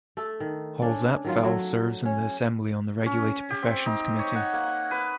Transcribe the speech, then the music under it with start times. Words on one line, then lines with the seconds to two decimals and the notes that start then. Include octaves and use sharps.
Holzapfel serves in the Assembly on the Regulated Professions Committee.
0.17 A3 A4
0.40 D#3
0.82 C#4 D4
1.24 D#3 F#3 F4
1.44 F#3 A3
2.05 C#4
3.06 C#4
3.50 G4
3.62 C4
3.86 D#4
4.19 C#5
4.35 F#5
4.53 A#3
4.91 B4